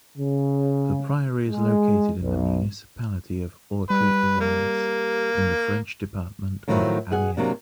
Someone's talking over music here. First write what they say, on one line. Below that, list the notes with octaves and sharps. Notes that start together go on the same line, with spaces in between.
The priory is located in the municipality of Autry-Issards, in the french department of Allier.
C#3
G#3
B1
G3 B4
A#3
A2 D#3 F3 F#3 A3 E4
B2 G#4 F#5 G#5
C3 F#3 A#3 D4